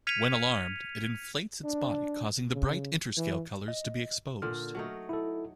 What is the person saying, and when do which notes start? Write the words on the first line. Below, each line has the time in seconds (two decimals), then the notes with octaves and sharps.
When alarmed, it inflates its body causing the bright interscale colours to be exposed.
0.07 F6 G#6 B6 C#7 D#7 F7
1.64 D4
2.54 C#3
3.17 E3
3.68 D#5
4.42 A#2 D3 F6
4.75 F#3 A3 D#4
5.09 E4 A4